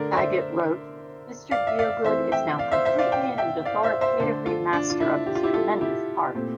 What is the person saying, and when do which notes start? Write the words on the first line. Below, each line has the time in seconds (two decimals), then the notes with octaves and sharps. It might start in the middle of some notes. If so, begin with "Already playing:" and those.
Agate wrote, Mr Gielgud is now completely and authoritatively master of this tremendous part...
Already playing: D3 A3 D4 A#4 D5
0.12 D5
0.17 C5 E5
1.51 D5 F5
1.67 E5
1.79 D5 F5
2.04 E3 A3 C4 C5 E5
2.32 E5 G5
2.59 D5 F5
2.72 C5 E5
2.85 C5 E5
2.99 D5 F5
3.12 G5
3.38 E5 G5
3.65 D5 F5
3.83 C5 E5
4.01 C5 E5
4.20 D3 A3 D4 A4 C5
4.46 F4 A4
4.73 D4
4.90 F4
5.00 E4
5.26 G4
5.35 F4
5.43 E4 G4
5.54 F4 A4
5.81 E4 G4
6.34 A#2 A3 C4